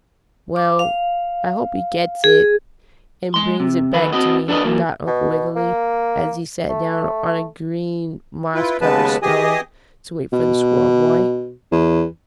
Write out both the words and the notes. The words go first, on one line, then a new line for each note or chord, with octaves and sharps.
"Well, I hope he gets it and brings it back to me," thought Uncle Wiggily, as he sat down on a green, moss-covered stone to wait for the squirrel boy.
D6
F5
G#4
G#3 C6
C3
D#3 B3 B4
C4 F#4 D#5
D3 D4 A4 B4 D#5
E3 F#3 A#3
B2
A#3
A3
E4 F4 B4
D#2 C#3 G#3 B3 B4 A5
E3 G4 G#4 D#5 G#5 D#6
B2
E2